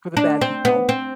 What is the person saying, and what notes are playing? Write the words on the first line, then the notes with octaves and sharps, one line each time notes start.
For the bad people.
D4
C4
B3
C4